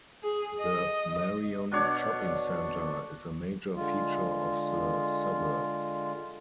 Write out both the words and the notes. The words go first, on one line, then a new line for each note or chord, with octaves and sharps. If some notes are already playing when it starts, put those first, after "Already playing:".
The Marion Shopping Centre is a major feature of the suburb.
G#4
D#5
B2 D4 C#5 D5
D3 G#3 F4